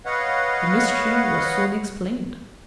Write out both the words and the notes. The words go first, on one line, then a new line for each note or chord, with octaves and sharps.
The mystery was soon explained.
B4 C#5 D#5 F5 F#5